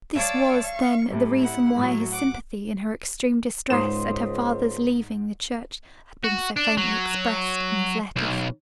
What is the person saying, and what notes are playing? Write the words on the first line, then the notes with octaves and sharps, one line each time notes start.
This was, then, the reason why his sympathy in her extreme distress at her father's leaving the Church had been so faintly expressed in his letters.
C#5 D5 F5 A5 D6 E6
F5 C#6
A2 C3 G3
E4 F#5
A2 F#3
F#5 D6
C#2 G#2 C5 C6 D#6 E7
F#4
D4
F#3
B1